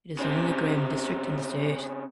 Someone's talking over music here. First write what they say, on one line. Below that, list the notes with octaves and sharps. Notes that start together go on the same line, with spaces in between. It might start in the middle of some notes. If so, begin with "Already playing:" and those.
It is the only Graham District in the state.
C#3 C4